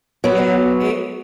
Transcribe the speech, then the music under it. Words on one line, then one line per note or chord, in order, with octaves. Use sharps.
Yeah. It
F#3 B3